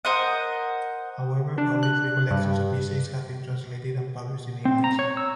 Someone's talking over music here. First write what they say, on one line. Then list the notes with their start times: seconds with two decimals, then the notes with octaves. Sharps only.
However only three collections of essays have been translated and published in English.
0.05 A#4 C5 D#5 F#5
1.58 D4
1.83 F#6
2.30 G2
4.65 C4
4.84 A#5
4.99 C#5
5.17 E6